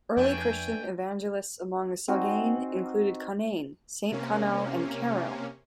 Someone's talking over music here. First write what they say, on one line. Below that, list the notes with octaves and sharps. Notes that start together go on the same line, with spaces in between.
Early Christian evangelists among the Soghain included Conainne, Saint Connell and Kerrill.
F2 A3 D4 B4 G5 G#5
C4 D#4 F#4 G#5
C3 A#3 C#4